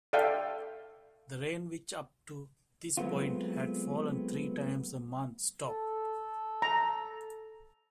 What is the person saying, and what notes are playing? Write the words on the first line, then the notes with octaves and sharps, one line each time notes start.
The rain which, up to this point, had fallen three times a month, stopped.
A4 D5 E5 F5 G5
F#3 G#3 A3 B3 C4 F4
A4
A#5